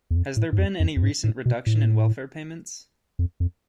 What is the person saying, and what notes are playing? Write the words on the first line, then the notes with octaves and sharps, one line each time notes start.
Has there been any recent reduction in welfare payments?
E2
F2
A2
G#2
F2
F2
F2
G#2
A2
B2
A2
F2
F2